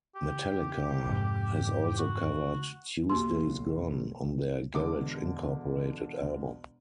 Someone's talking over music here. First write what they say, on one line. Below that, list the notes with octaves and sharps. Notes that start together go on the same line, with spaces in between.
Metallica has also covered "Tuesday's Gone" on their "Garage Incorporated" album.
G4
F2 G#2 C3
F#4
B1 A#3 F#4 G4 C6
E1 D3 D6